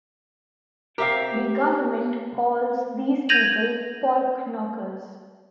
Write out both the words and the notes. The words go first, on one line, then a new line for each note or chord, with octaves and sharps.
The government calls these people porknokkers.
C4 G4 A#4 E5 F5
G6 G#6 A#6 D#7 F7 F#7